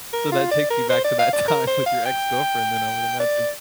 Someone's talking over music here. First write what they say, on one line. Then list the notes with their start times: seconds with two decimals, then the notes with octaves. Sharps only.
So that takes you back to that time with your ex-girlfriend then, I would imagine.
0.13 A#4
0.32 F4
0.51 D5
0.70 A#4
0.90 C5
1.04 D5
1.19 F5
1.33 D5
1.48 A#4
1.67 C5
1.86 F5
2.05 G5
3.20 D5